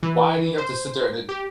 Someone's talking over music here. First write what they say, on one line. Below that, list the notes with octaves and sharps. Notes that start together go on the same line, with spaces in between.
Why do you have to sit there and then
E3
C5
G4